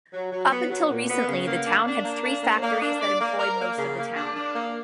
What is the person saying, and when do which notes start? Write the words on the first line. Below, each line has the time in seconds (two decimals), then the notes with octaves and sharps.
Up until recently, the town had three factories that employed most of the town.
0.13 F#3
0.32 F#3
0.51 B3
0.70 F#3
0.90 A#2
1.09 B3
1.28 C#3
1.47 A#3
1.66 D4
1.85 D4
2.04 A#3
2.24 D4
2.43 A#3
2.62 A#3
2.82 D4
3.02 D5
3.20 A#3
3.39 A#4
3.59 A#3
3.79 C#3
3.98 A#3
4.16 D4
4.36 D4
4.55 A#3